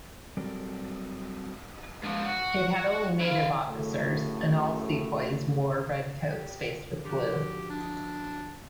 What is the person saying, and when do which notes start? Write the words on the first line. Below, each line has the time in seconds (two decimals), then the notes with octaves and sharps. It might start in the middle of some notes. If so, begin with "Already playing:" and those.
It had only native officers and all sepoys wore red coats faced with blue.
0.37 F#3 G3 C4 A4 A#4 D5
2.03 G#2 F3
2.24 F#4
3.21 E4 F5
3.68 F#2 A2 C#3 A3
6.32 G4
7.05 D3 F3 F#4 G4
7.70 D4